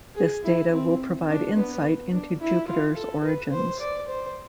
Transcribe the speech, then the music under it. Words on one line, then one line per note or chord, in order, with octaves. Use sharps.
This data will provide insight into Jupiter's origins.
G#4
E4
C4
D4
B3
D4
E4
F4
A4
B4
C5
D5
C5